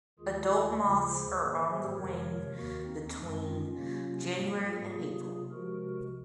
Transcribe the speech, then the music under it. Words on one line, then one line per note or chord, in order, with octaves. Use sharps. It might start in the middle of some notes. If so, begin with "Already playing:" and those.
Adult moths are on the wing between January and April.
D#2 D#3 G#3 F4 G#4
D#2 C#3 F3 G#3 F4 G#4
G#4 C5
G#2 D#3 A#3
G#4 C5
F2 C3 D#3 G#3 A#4 C#5
A#4 C#5
D#2 D#3 A#3 F#4 A#4
C4 D#4
F#2 D#3 G#3
C#4 F4
C3 F#3 A#3
G#2 F#3 A#3
F4 G#4
C3 F#3 A#3
C3 F3 G#3 F#4 A#4